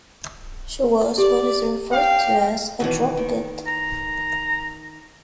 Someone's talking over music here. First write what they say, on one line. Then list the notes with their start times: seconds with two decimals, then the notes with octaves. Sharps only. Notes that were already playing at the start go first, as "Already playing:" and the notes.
She was what is referred to as a "Drop-Gut".
1.18 G4 D5
1.92 F5 G5
2.80 B2 D#3 E3
3.17 D#3
3.67 A#5